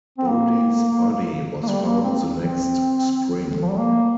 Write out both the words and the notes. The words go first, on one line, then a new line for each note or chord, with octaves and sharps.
Bodey's body was found the next spring.
C4
A#3
A#3
G3
A#3
C4
C4
F3
G3
A#3